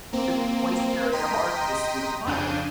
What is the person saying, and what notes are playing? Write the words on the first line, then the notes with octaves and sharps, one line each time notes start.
the moisture and the hardness in the clay,
A#3 C4
D#5 G5 A#5 C6 B6 D#7
F2 C#3 D4 G6 D#7